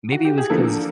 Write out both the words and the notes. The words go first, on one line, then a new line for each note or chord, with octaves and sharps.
maybe it was 'cause
F#4
G4
G#4
D3 F3 A#3 A4